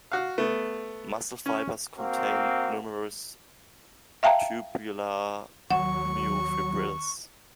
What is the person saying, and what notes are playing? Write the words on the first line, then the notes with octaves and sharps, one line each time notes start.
Muscle fibers contain numerous tubular myofibrils.
F#4 F5
A3 B3
C#4
A#3 C4 F#4
E5 F5 G5 A5 A#5
D#2 F#3 F#5 C#6